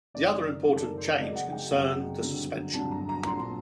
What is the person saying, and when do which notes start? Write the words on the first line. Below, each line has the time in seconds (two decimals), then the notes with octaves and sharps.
The other important change concerned the suspension.
0.14 F#1 F#2 D#3 D5
0.67 F#1 F#2 D#3
0.76 A4
0.87 A#4
0.97 C5
1.08 D5
1.18 F#1 F#2 F#3 D#5
1.36 F#5
1.52 G5
1.71 F#1 F#2 F#3
2.22 G1 G2 D3 F#3
2.74 G1 G2 D3 F#3 A5
2.91 A#5
3.09 A#5
3.26 A#1 A#2 F#3 C6